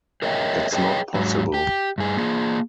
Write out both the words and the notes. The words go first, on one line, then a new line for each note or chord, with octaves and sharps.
It's not possible.
G#4 A#4 C#5 D#5 E5 G5
G#4 B4 C#5 D#5 F5 G5
G#2 F#3
G4
G2 G#4
A#3 F4 G#4